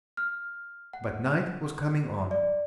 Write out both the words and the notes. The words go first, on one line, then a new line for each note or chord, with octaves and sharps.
But night was coming on.
F6
F#5
D5